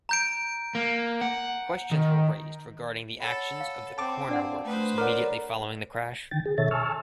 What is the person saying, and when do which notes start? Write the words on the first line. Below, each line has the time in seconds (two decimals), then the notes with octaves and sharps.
Questions were raised regarding the actions of the corner workers immediately following the crash.
0.09 A#5 G6 D7
0.75 A#3
1.21 F#5
1.91 D#3
3.20 A4 C#5 F#5 B5
3.60 F5
3.98 C4 A5 D6
4.29 D4 D5 F5 F#5
4.65 A3 B4 C5 D#6
4.98 A4 A#4 C#5 D5 F#5 D6
6.31 D3 D#3 G5 A6
6.45 G#4
6.58 B2 D#3 A4 C#5 E5 A6
6.71 G#5 A5 C#6 E6 F6